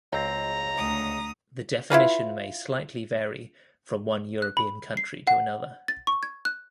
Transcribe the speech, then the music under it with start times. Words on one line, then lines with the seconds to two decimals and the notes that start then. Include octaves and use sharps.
The definition may slightly vary from one European country to another.
0.13 C#2 C4 A#5
0.76 D2 D#6
1.90 E4 F4 B4 F5
4.42 F#6
4.57 B5
4.97 C7
5.27 F#5
5.88 A6
6.07 C#6
6.23 G#6
6.45 F#6